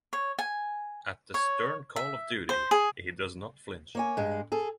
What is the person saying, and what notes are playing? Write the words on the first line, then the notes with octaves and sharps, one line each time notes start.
At the stern call of duty he does not flinch.
C#5
G#5
C#5
E5
C5
G#4
A#3 C#5 G#5
G2 G#3
G#4 A4